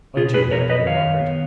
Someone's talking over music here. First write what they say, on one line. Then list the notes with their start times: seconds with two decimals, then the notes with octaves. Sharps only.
Adieu, my dear Margaret.
0.17 B2 F4 G#4
0.34 G#4 B4
0.51 B2 A#4 C#5
0.69 B4 D#5
0.86 D#3 C#5 F5
1.21 B3